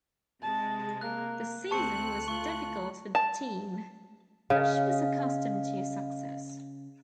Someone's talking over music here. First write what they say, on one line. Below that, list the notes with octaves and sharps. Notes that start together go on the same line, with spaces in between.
The season was difficult for the team, which was accustomed to success.
C3 G#3 A5
A#3 F#6
D2 A3 C4 A5 C#6 F#6 C#7
F4 C#6
A5
C#3 D#5 F5